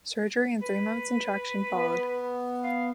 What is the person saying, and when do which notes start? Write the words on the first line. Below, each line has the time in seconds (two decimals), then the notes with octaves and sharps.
Surgery and three months in traction followed.
0.62 B4
1.72 B3
2.64 F5